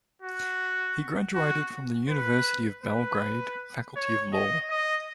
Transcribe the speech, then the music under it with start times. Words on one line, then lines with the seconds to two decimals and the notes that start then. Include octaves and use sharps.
He graduated from the University of Belgrade Faculty of Law.
0.22 F#4
1.34 F#4
2.09 B4
2.84 B4
3.96 C#5
4.33 D#5
4.70 D#5